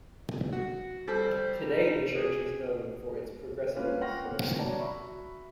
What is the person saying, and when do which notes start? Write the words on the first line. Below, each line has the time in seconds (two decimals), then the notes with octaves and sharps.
Today the church is known for its progressiveness.
0.53 F#4
1.08 G3 A4 C5
1.61 D#4
2.15 G#4
3.75 A#3 C#4 F4 B4
4.01 F#5 G5 C6 C#6 F6 A#6
4.25 A#3 C5 C#5 F#5
4.59 F#4 C#5 D5 A5 A#5
4.79 F#4 E5 B5 C#6